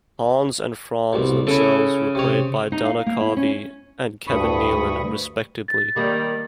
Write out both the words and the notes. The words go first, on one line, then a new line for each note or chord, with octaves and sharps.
Hans and Franz themselves were played by Dana Carvey and Kevin Nealon, respectively.
C2 B2
C#3 E4 A4
C3 C#5
D#4
F5
A#3
E4
C#4
D2 G2 B5 C#6 D#6
A6
D#3 G3 A#3